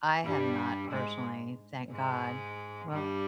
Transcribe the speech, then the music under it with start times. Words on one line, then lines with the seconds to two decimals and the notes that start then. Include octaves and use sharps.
I have not personally, thank god, run
0.24 G2 G3
0.91 G#2 G#3
1.91 G#2 G#3
2.91 G2 G3